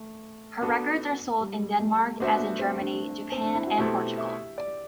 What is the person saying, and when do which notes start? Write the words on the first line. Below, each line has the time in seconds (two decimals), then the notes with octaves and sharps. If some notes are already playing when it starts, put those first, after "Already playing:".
Her records are sold in Denmark as in Germany, Japan and Portugal.
Already playing: A3
0.62 B3 D4 F#4 A4
1.41 G3
1.80 A3
2.20 A3 B3 D4 F#4 C5 E5
2.40 A3
2.59 C4
2.79 D4
3.32 C4
3.43 D4
3.55 E4
3.67 F#4
3.78 B2 A3 C4 E4 G4 A4
4.18 E5
4.58 D5